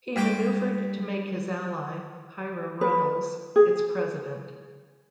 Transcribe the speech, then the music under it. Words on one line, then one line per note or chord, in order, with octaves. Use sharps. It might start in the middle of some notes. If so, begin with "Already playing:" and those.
He maneuvered to make his ally, Hiram Revels, its president.
G2 G5 D6
B4
G#4